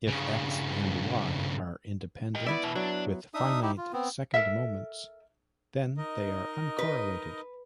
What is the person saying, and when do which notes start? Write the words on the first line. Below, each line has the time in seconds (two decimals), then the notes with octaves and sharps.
If "X" and "Y" are independent, with finite second moments, then they are uncorrelated.
0.08 G2 C#3
2.35 G4 D#5
2.46 B3 E4 D5 E5
2.63 B2 E3
2.75 F#3 D4
3.34 D4 D#4 E5 D#6
3.62 D#4 E4 G4
3.77 F4
3.93 B3 C4
4.34 A4 A#4 E5
5.97 D#4 A#4 D#5
6.79 B4